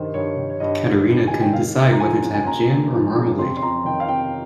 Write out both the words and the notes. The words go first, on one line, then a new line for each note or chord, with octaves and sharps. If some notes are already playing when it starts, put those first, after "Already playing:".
Katerina couldn't decide whether to have jam or marmalade.
Already playing: G2 D#3 C5
G2 C#5
D#3
C#5
G2 D#5
D#3
G2
D#3 G#5
G5
D#2 F5
D#2
A#5
F3 G#5
C#3
G#5
D#2 A#5
D#2
F3
C#3
F2 C6
C6
F2 A#5
D#3 G5
F5
C3 G5